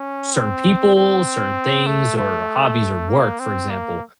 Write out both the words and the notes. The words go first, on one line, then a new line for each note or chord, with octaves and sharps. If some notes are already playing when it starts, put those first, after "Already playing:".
certain people, certain things, or hobbies or work, for example.
Already playing: C#4
C4
C4
A3
A3
A#3
C4
A#3